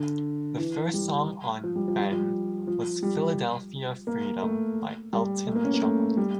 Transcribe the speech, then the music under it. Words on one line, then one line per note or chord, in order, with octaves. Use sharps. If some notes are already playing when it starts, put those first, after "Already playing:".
The first song on "Ben" was "Philadelphia Freedom" by Elton John.
Already playing: D3
E3
G3
F3
G3
F3
G3
F3
F3
G3
A#3
A3
G3
A3
A#3
C#4
A#3
A3
G3